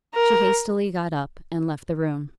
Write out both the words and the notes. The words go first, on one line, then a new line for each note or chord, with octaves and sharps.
She hastily got up and left the room.
A#4